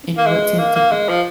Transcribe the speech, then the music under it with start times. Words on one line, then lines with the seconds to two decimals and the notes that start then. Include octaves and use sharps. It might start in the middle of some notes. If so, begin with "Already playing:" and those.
And what tend to work?
0.18 A#3
0.26 G#3
0.59 A#3
0.76 A#3
0.91 G#3
1.09 F3